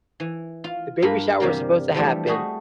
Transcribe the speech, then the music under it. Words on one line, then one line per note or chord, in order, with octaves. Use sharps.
the baby shower was supposed to happen,
E3
F4
G2 A#3 F4 A#4 B5
E2 C3 G3 A#3 A#4
E3 F3 G3 A3 D4 G4
G3 A3 F#4 G#4 D#5